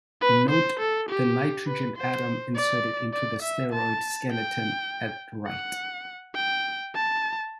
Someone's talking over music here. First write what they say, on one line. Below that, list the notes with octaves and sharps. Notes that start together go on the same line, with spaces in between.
Note the nitrogen atom inserted into the steroid skeleton at right.
B4
C5
A4
G4
B4
C5
D5
D5
E5
A5
G5
F#5
G5
A5